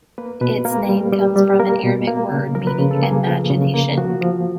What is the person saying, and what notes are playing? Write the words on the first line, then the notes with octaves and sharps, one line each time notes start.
Its name comes from an Arabic word meaning "imagination".
A#3 B4
B2 B4
A#3 A#4
G3
G3
G3
A#3 A#4
B2
A#3
C#3
F3 A#4
B4
C#3
A4
A#3 G#4
F3
C#3
A#3
F3 F#4
F3